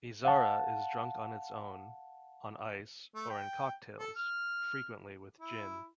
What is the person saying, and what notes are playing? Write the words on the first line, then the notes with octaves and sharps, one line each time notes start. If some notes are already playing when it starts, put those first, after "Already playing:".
Izarra is drunk on its own, on ice or in cocktails, frequently with gin.
F5 F#5 A5
A3
G5
A4
F6
E4